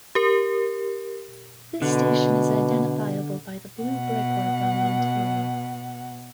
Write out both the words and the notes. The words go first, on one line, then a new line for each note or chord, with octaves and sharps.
This station is identifiable by the blue brickwork on the interior.
G4 A#4
B2 D3
B2 F#5